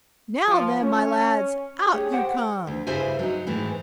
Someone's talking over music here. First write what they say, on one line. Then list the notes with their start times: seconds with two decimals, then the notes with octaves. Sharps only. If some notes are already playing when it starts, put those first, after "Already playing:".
"Now then, my lads, out you come!"
0.48 F3
0.82 C#4
1.93 D4 G4 G#4 C#5
2.12 G4 C5 F#5 G5
2.67 D2
2.87 G2 C#3 E4 C5 E5 G#5
3.19 F#3 D#4
3.47 G#2 D#3 E3 A3